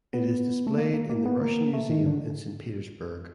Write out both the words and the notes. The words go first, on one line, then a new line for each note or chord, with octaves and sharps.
It is displayed in the Russian Museum in Saint Petersburg.
B3
A3
A#3
A#3
A#3
B3
A#3
A3
D#3
D3